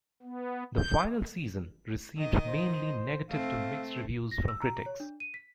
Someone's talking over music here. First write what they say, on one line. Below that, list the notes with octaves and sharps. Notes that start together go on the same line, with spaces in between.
"The Final Season" received mainly negative to mixed reviews from critics.
B3
G6
D#3 D#5
C5
A3 C4 F5
A#6
E6
A#5
C#5
D4
D#7
B6